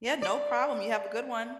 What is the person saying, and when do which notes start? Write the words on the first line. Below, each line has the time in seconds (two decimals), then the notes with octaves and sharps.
Yeah, no problem you have a good one.
0.22 D5